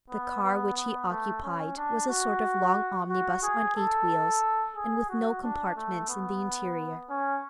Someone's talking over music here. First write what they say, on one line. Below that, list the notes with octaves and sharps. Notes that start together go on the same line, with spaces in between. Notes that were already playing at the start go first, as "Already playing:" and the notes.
The car which he occupied was a sort of long omnibus on eight wheels, and with no compartments in the interior.
B3
B3
B3
A3
C#4
D4
F#4
F#4
G#4
A4
G#4
F#4
D4
A3
B3
C#4